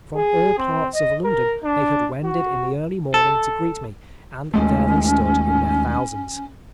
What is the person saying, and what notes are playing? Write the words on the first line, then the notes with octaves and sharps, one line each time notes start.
From all parts of London they had wended in the early morning to greet me, and there they stood in their thousands.
G#4
C4
D#5
A#4
D4
F#4
A4
D#2 G#3 A3 C#4